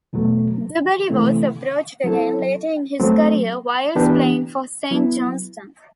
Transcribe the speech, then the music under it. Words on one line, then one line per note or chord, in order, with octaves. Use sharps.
Duberry was approached again, later in his career, whilst playing for Saint Johnstone.
E2 B2 F#3 A3
C3 E3 A3 C4 E4
F#3 C4 E4 A4
F#3 A3 C4
E3 B3 D4 G4
F#3 B3 E4